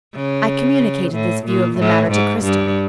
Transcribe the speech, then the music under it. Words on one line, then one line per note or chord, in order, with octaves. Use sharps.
I communicated this view of the matter to Cristel.
C#3
A2
A#2
A2
G#2
G2